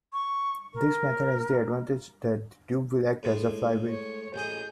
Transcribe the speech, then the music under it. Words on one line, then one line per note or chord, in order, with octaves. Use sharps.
This method has the advantage that the tube will act as a flywheel.
C#6
A#4
A2 G#3
C#5
A1 G#4 D#5 G6